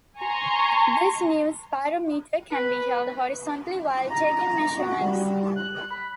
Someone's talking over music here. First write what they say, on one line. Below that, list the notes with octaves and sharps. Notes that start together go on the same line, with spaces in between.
This new spirometer can be held horizontally while taking measurements.
G#5 A#5 C6 C#6
B4
A#5
F#4
G3
F#6
B5